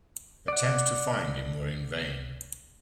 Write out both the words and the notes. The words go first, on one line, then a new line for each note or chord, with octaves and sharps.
Attempts to find him were in vain.
D5 F#5